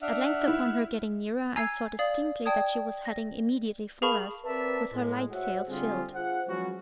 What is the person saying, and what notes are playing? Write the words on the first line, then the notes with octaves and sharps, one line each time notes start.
At length upon her getting nearer, I saw distinctly that she was heading immediately for us, with her light sails filled.
D4 E5 F#5 F6
E4
G#5 A#5 E6 G#6 C7
D5 F5 D#6 F#7
D5 G5 A5 D#6 G#6
A#6
G#4 A#4 F5 A5 B5 C#6
C4 A#4 B4 D5 E5 A5
A2 G#3
F#4 C5 C#5 E5 F#5
D3 G3 C4 F4 G4 G#4
F4 G#4 C5 F#5
F3 F#3 G#3 B3 C#4 F#4